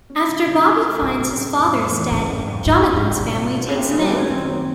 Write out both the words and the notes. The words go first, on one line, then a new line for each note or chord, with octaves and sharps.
After Bobby finds his father is dead, Jonathan's family takes him in.
C#4
D3
C#3
C#3
A3
A2 F#3
C#3
C#3
F2
F2
E3
G#2 C#3
F2
F2
G#2 F4
D3
G#2
C4
C3
B2 G3
F4
D3
C#3
C3 A#3
C#3
F#2
G3
F#3 C#4
D#3 C4
A#3